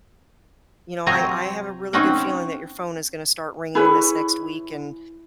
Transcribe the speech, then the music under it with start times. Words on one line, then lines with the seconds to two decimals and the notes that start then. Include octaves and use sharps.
you know, I I have a really good feeling that your phone is gonna start ringing this next week, and
1.06 C3 F#3 C4 G5 G#5 A#5
1.93 C4 C#4 D#4 F#5 G5
3.75 E4 G#4 B4 C#5